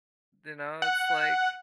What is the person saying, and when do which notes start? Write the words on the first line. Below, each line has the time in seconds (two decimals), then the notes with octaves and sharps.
you know, it's, like,
0.82 F#5